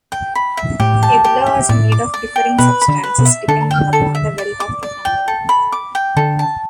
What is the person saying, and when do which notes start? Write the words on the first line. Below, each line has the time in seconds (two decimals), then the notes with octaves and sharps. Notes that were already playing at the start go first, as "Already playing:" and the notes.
A bulla was made of differing substances depending upon the wealth of the family.
0.12 G5
0.35 B5
0.57 E5
0.79 A2 A3 G4
1.03 A5
1.24 G4
1.46 E5
1.69 A2 A3 D5
1.92 D6
2.14 D5
2.36 G5
2.58 B2 B3 B4
2.81 B5
2.88 D3 D4
3.03 B4
3.18 B2 B3
3.25 E5
3.48 D3 D4 A4
3.71 G5
3.93 A4
4.15 E5
4.38 D5
4.60 D6
4.83 D5
5.05 G5
5.28 A4
5.49 B5
5.72 D6
5.95 G5
6.16 D3 D4 A4
6.39 A5